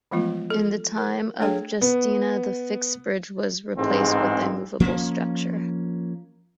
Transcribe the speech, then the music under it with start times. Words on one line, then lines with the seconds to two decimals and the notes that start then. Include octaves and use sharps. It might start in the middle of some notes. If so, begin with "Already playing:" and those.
In the time of Justinian the fixed bridge was replaced with a movable structure.
0.11 E3 F3 G#3 A3 B3 F4
0.50 A4
0.97 A#4
1.40 A3 D4 G#4 A4 C#5 G5
1.81 B3
3.77 A1 G#2 G#3 C4
4.80 F3 A#3 B3 C#4